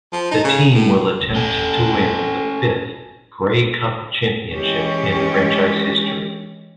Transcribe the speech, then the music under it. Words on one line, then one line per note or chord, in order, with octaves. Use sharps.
The team will attempt to win the fifth Grey Cup championship in franchise history.
F3
D#4
C#3
A2
C#4 A4
E3 G#3 C#4 G4